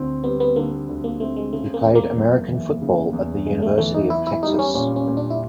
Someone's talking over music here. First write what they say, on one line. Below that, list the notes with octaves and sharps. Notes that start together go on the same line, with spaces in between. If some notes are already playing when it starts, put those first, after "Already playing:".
He played American football at the University of Texas.
Already playing: D2 D3 C4
G3 B3
B3
D3 A#3
D2
A#3
A3 C4
G#3
C#3 A3
A#3
E2
A#3
F#1
E3
C#3
E2
F#1 G#3
A3
E3 A3
D#4
B3 E4
E4
G3 D#4
C#4
A#2 C#4
C#4
A#2
D4
E4